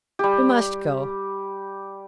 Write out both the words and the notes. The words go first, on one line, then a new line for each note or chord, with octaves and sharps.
You must go.'
G3 G4